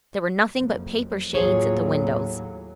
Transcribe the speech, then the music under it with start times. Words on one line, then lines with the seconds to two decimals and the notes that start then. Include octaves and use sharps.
There were nothing but paper shades at the windows.
0.58 F#1 F2
1.35 D#2 A2 F#3 F4 G#4 C#5